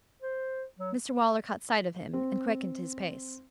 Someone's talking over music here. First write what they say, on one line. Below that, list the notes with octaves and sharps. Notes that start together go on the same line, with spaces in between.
Mr Waller caught sight of him and quickened his pace.
C5
F#3
C4